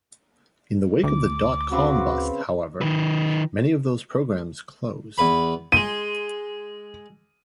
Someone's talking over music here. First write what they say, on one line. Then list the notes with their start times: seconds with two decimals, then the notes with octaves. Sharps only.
In the wake of the dot-com bust, however, many of those programs closed.
1.04 D2 D6
1.72 C#3 C4 F#4 B4
2.81 D#3 B4
5.18 E2 B4 B5
5.72 G#3 C6 D#7